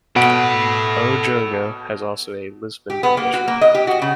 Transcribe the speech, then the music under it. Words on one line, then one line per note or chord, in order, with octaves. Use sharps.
"O Jogo" has also a Lisbon edition.
B2 A4 F#5 B5 D7
G4
B3
A#3
F#4
A#3
D#5
G4
F#4
C#3